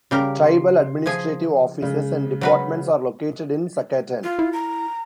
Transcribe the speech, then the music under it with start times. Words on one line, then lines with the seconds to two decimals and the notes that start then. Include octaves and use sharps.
Tribal administrative offices and departments are located in Sacaton.
0.11 C#3 G3 G4 A#4
0.44 C6
1.06 F3 G#4 G#5
1.82 C#3 G#3
2.41 F#3 F#4 B4
4.23 F4
4.39 E4
4.53 A#5